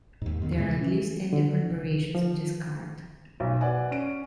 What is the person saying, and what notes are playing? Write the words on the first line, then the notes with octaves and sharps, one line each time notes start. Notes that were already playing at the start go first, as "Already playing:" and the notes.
There are at least ten different variations of this card.
D#2 G#2
D#2 D#3 B3
A#2 C#3 G3 G#3
E3
E3 C#4
D3
C2
F3
B1
B4 D5 F#5 G#5
C#4 D7